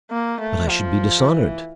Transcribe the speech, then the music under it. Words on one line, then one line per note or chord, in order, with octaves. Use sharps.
"But I should be dishonoured."
A#3
A3
F3
E3